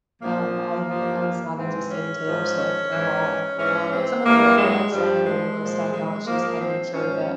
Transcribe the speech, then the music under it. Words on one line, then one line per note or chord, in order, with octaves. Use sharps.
um, I had n I was not interested in Taylor Swift at all, um, but some of her I like some of her newer stuff now that she's kind of matured a bit.
A#2 F3 A#3
G2 F3
G#2 E3 C4
C#4
G#2 F3
C#4
G#2 E3
G#2 E3 C#4
C4
G2 E3 A#3
G#3
G2 F3 G3
G#3
A#2 F3
G#3
G#2 F3 A#3
C4
G#2 F3 C#4